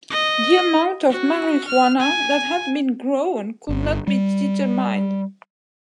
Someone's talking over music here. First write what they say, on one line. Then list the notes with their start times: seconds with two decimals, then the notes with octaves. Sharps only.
The amount of marijuana that had been grown could not be determined.
0.10 D#5
1.10 F#4
1.68 F6
2.00 G#5
3.69 G1
4.07 G3